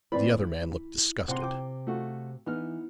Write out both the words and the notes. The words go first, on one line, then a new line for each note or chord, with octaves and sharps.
The other man looked disgusted.
E3 C4 B4 C5 D5 B5
E4
C3 F#5 C6
G5 D6
A3 F4 F#4
E3 B3 D#4 F6